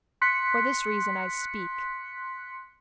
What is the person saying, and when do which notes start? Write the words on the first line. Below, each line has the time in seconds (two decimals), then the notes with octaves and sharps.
For this reason I speak.
0.21 C6 F#6 B6 C#7